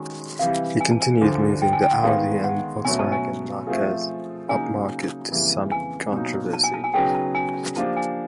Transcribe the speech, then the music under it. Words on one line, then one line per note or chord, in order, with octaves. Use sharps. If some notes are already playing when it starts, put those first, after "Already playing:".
He continued moving the Audi and Volkswagen marques upmarket to some controversy.
Already playing: D#3 G#3 C#4 F#4
C3 E3 G3 F5
G#5
A5
G#5
D2 D3 F3
G5
G#5
G5
F#5
D#3 G#3 B3 F5
F#5
B2 F#3 A3 C#4 G#5
A5
G#5
F3 A3 C4 F4 G#4
C#3 F#3 A#3 D#4 G#5
F2 C#3 E3 G3 A#3
G#5
B2 F#3 A#3 D#4
A5
G#5
A5
G#5
C#3 F#3 B3 D#4 G#4 G5
A5
G#5
F3 A#3 D4 G4 A5
G#5